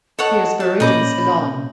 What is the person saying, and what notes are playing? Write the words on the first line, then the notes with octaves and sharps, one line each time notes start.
He is buried in Ceylon.
A4 C#5 D#5 F#5 A5
F#4 A5
A#2 C#4 D#5 A#5 B5 D6 G6